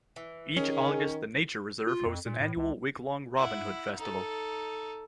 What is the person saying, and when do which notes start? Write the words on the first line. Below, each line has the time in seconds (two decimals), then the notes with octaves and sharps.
Each August the nature reserve hosts an annual, week-long Robin Hood Festival.
0.16 E3
0.57 D#3 C#4 G#4
1.87 F4
2.06 F2
2.26 A#2
2.40 A2
2.57 C#2
3.37 E4 F#5
3.97 D#4 A4